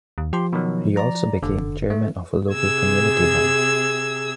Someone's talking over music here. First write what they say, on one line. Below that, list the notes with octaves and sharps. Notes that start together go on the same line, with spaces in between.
He also became chairman of a local community bank.
D#2
F3 G4 C6
B2 D#3 F#3
D5 A#5
F1 D3
A3
C3 G#4 E6 G#6